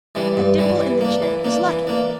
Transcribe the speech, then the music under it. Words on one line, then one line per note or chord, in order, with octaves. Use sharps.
A dimple in the chin is lucky.
E3 G3 D4
G2
E3 G3 D4
E3
A#3 D4
E3
A#3 D4
E3
A#3 D4